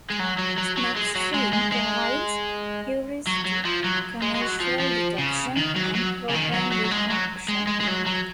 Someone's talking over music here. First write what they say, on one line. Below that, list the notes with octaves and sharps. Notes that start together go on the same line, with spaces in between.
Snapstream provides heuristic commercial detection and program recompression.
G#3
F#3
F#3
F#3
F#3
G#3
F#3
G#3
G#3
G#3
F#3
F#3
F3
F#3
G#3
G#3
F#3
F3
F3
C#3
D#3
F#3
F#3
C#3
D#3
F#3
F#3
F#3
G#3
F#3
G#3
G#3
G#3
F#3
F#3